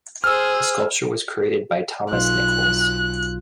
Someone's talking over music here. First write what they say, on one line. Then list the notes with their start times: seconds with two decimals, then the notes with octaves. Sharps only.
The sculpture was created by Thomas Nicholls.
0.24 G#4 C5 E6 F6
2.12 B1 F4 F#6